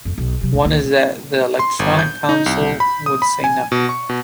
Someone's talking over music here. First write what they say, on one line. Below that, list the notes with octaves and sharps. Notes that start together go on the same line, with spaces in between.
One is that the electronic console would say Nothing here.
F2 B3
B1
C3 F#3
C#2
C#2 A#3
C3
C6
G1
G6
D#4
C2
B5
D#6
B5
G#5
B2
C#6
B2